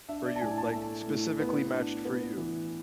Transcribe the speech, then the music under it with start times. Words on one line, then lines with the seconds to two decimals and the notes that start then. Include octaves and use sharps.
For you, like, specifically matched for you.
0.09 D4 E5
0.25 D5
0.36 A5
0.41 A2 G#5
0.58 A5
0.74 A3
1.07 A2
1.39 B3
1.72 D4
2.05 B3
2.37 E3